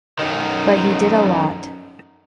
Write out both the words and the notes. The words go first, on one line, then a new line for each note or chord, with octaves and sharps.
But he did a lot.
F#2 D#3